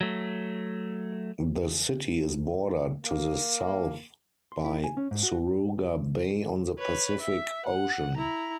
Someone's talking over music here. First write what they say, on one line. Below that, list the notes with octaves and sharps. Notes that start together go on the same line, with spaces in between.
The city is bordered to the south by Suruga Bay on the Pacific Ocean.
F#3 A3
A#3
C6
E4
G#5
C#4
G#2
F#4
B4 C#5
E5
F#5
E4 A#5